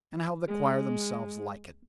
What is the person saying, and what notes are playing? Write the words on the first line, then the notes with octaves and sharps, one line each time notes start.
And how the choir themselves like it!
G#3